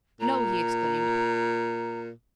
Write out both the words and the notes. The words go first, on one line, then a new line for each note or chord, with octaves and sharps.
"No!" he exclaimed.
A#2 A#5